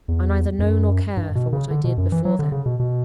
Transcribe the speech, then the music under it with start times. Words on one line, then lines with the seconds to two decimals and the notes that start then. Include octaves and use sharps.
I neither know nor care for what I did before then.
0.08 E2
0.59 E2
0.62 F#2
1.17 G2
1.35 B2
1.53 C#3
1.71 D3
1.84 B2
1.98 F#2
2.12 E3
2.25 F#3
2.39 D3
2.52 C#3
2.66 B2
2.80 B2